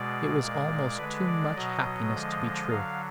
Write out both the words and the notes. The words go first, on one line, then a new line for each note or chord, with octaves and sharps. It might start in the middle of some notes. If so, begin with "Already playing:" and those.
It was almost too much happiness to be true.
Already playing: B2 G#3 D5
A#2 G#3
D3 G#3 B4
D5
B2 F#3 D#5
D3 F3 G#3
D3 F#3 F5